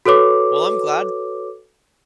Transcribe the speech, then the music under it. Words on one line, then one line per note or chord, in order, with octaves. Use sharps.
Well, I'm glad
F#4 A4 B4 C#5 D6